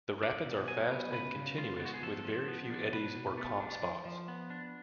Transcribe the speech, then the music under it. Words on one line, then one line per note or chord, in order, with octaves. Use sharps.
The rapids are fast and continuous, with very few eddies or calm spots.
D4 D5
B2
F#3 G#5
B3
C#3 B4
C#3
G#3 F4
B3 F4
F#4
G#4
F3 A4
F3
B3
D4
B2 B4
B2
A3
D4
F3
F3
B3
D4